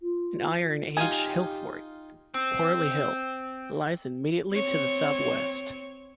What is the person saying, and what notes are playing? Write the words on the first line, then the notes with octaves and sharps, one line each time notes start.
An Iron Age hillfort, Quarley Hill, lies immediately to the southwest.
F4
D#4 F4 G4 G#5
C4
C4 C#5